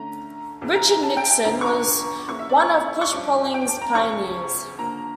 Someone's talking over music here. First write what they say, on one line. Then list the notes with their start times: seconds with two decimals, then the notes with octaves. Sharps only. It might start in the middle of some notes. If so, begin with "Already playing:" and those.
Richard Nixon was one of push polling's pioneers.
Already playing: D3 A3 C#4 A#5
0.61 E2 C#3 E3
0.75 A#5
0.89 A#5
1.03 A5
1.17 G5
1.31 G5
1.45 E2 D3 F3 C#4 A#5
1.61 C#6
1.66 D6
2.28 C#3 E3 A#3 C#4 C#6
2.39 E5
2.49 D5
2.60 C#6
3.01 C#6
3.12 G2 F3 C#4 D6
3.54 G5
3.68 A5
3.82 A#5
3.95 E2 C#3 F3 C#4 C#6
4.79 D3 F3 A#3 A#5